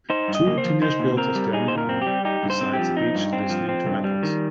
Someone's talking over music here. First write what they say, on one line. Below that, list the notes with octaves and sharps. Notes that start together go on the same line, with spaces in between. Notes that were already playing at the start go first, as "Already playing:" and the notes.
Two teenage girls are standing on beside the beach listening to ipods.
D#4 C5
G2
D#5
A#3
C5
F3
D#4 C5
A#2
C4 A#4
G3
D#4 G#4
A#2 C5
A#4
C4
G4
G3
D#4 G4
G2
C5
C4
G4
F3
D#4
G2
C4
F3
C4
G2
G3
D#3